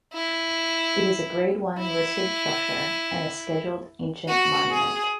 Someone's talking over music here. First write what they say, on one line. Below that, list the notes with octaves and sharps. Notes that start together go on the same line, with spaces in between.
It is a grade one listed structure and a Scheduled Ancient Monument.
E4
E4
F#4
G#4